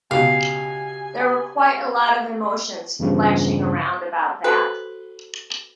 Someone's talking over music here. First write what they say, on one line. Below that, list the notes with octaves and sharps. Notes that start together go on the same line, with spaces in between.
There were quite a lot of emotions flashing around about that.
C#2 B2 G4 F5 G#5
E2 G2 C#3 F3
F#4 A4 B4 C5